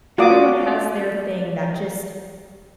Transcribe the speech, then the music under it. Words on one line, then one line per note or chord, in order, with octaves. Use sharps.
everyone has their thing that just
F4 F#4 D5 D6 D#6